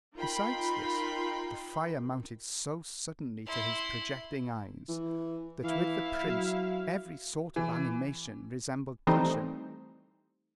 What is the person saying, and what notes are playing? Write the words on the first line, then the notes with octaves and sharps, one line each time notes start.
Besides this, the fire mounted so suddenly to his projecting eyes, that with the prince every sort of animation resembled passion.
D#4 F4 A#4 G5 B5 C6
E4 C6
E3
E3 E4 F5
F#3
E3
E3 G3 A3 C4 D#4